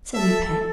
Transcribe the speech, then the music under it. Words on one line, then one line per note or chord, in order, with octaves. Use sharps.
Silly pet!
A4 E5